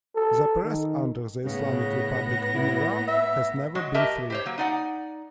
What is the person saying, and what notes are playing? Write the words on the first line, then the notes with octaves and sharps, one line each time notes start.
The press under the Islamic Republic in Iran has never been free.
A4
D#3
A2 C#3 B3 A#6
E4
E5
F#3 G#3 F#4
G4 A#4 D#5 E5 A5
G4 C5 C#5
F#3 A#3
D#4 D5 F#5